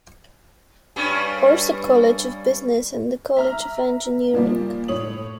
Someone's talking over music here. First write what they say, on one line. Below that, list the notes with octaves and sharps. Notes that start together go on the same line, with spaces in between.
Ourso College of Business and the College of Engineering.
G2 G3 C#4
E5 A#5 F6
A#2 F3 G3 A#3
A2 C#5 D#6 F#7